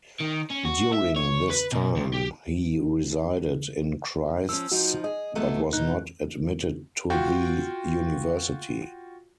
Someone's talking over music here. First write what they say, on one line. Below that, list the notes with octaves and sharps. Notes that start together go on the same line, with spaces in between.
During this time, he resided in Christ's but was not admitted to the University.
D#3
C#4
F#4
E5
C#5
B4
B2
C#2
G4
F3 C#4 E6
F3 D#4 F#4
G#4 D#5
F#3 A3 B3
B2 D#4 F#6
F4 F#4 G5